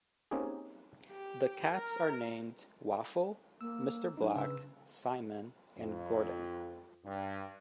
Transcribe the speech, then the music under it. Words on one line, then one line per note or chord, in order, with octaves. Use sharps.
The cats are named Waffle, Mr. Black, Simon, and Gordon.
A#3 C4 C#4 D#4 G4 G#4
G4
A#4
A#3 E6
F#3 D4 D#4
C#3 B4 E6
F2
G2